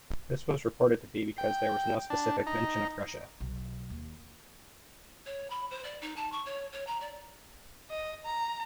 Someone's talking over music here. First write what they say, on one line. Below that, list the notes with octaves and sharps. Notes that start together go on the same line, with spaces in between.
This was reported to be because there was no specific mention of Russia.
G5
D4
D#4
B1
D#2
C#5
B5
C5
D5
D#4
A5
C#6
C#5
C#5
A#5
D5
D#5
A#5